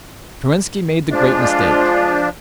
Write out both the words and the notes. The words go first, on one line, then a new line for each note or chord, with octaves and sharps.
Kerensky made the great mistake.
F3 G#3 D4 F4